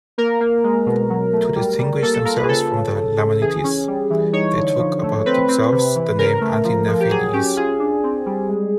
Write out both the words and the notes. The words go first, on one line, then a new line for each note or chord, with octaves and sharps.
To distinguish themselves from the Lamanites, they took upon themselves the name Anti-Nephi-Lehies.
A#3 A#4
A#3
G#3
B2
F#3
A3
G3
G3
A#3 A4
A4
F4 A#4
B4
G#4
C#3 A4
C#3
C#3
C#3
E3 G#4
C#4
G3
E3
D#4 C#5
D3
F3
A3
C4 B4
C4
C3
E3
C#3 A#4
A3
F3
F3
G4
F#3 G#4
C#4 G4
F4 G#4
D4
C4
G3
G#3